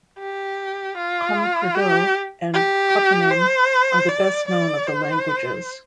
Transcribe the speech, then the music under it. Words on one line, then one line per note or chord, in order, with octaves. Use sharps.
Comecrudo and Cotoname are the best known of the languages.
G4
F4
G4
G4
C5
D5
D5
C5